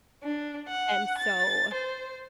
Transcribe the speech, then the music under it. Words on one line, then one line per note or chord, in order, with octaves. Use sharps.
and so,
D4
F#5
A6
C5